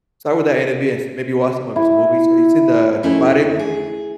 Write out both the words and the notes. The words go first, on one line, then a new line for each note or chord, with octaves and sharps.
start with that interview and s maybe watch some of his movies, have you seen the the Friday movies
E4
F2 A3 A#3 C#4 D#4 E4
G#4